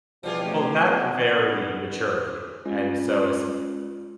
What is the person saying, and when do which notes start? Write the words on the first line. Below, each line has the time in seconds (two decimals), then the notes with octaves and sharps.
Well, that's very mature of you, and so, es
0.23 B2 E3 F3 G3 F4 G#4
0.40 C#3 A3 G5
0.86 B3 F#4 D5 F#5
2.66 G#3 C#4 F4